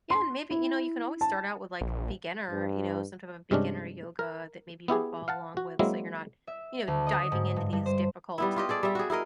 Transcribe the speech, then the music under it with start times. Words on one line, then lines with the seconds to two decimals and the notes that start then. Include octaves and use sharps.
Yeah. And maybe, you know, you can always start out with, like, beginner, you know, some type of beginner yoga that maybe you can follow along with so you're not, you know, diving into these difficult,
0.10 C6
0.51 E4
1.21 A5
1.81 A#1
2.51 G2
3.51 G2 C3 G#3 C#4 D4
4.19 A#4
4.88 B3 E4 G4 G#4
5.28 F5 F#5 A5
5.57 F#4
5.79 F#3 G#3 A#3 C4 E4
6.47 E5
6.88 D2
7.07 D#5
7.32 G#2
7.56 G2
7.73 G2
7.86 C5
8.38 G3 B3 E4
8.56 F4 G4 D#5
8.69 G#4 A4 D5
8.83 G3 E5
8.95 F#4 G#4
9.10 E4 G#4 A#4 D#5